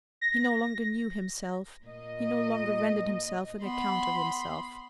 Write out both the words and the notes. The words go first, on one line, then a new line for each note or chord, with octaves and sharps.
He no longer knew himself, he no longer rendered himself an account of himself.
A#6
A#2 D#5
B3 B5 C6